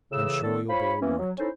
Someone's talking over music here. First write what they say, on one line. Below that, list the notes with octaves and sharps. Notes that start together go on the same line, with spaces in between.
I'm sure you'll be all right.
A2 C#3 E3 E6
D3 D#3 B3 A4
F4 C5 C#5 B5
E3 A#3 B3 C#4
F#3
C#4 D#4 E4 A4 C5